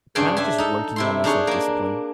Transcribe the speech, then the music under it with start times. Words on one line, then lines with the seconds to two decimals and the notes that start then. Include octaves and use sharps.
kinda just working on my self-discipline.
0.15 G2 C#3 D4 G#4 G5 G#5
0.37 D4 E5 G#5
0.58 D#4 A4
0.96 C3 E4 C6
1.24 D4 D#4 G#4 C#5
1.47 A#3 D4